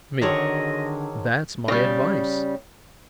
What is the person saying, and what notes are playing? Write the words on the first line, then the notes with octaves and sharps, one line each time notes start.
ME: That's my advice.
D3 D#3 F#3 C4 D4 G#4 C#5 D#5
C#3 G3